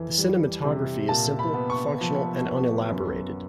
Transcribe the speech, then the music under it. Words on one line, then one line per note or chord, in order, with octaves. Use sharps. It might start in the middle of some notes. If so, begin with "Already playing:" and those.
The cinematography is simple, functional, and unelaborated.
Already playing: F2 E3
G3
C3
A#2 A5
B5
B3
C#6
F3
B3
F#2